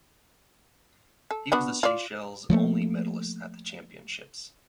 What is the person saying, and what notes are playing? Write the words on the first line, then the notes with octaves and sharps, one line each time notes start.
He was the Seychelles only medallist at the championships.
A4
B3 D4 F#4
F4 D5
F3 F#3 A3 A#3